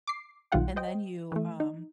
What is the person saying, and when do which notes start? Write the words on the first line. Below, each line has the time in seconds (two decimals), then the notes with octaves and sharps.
and then you, um,
0.07 D6 C7
0.52 B1 D#3 G3 F4 F#5 G5
0.76 C5 D#5 G5
1.32 E3 A3
1.60 D#4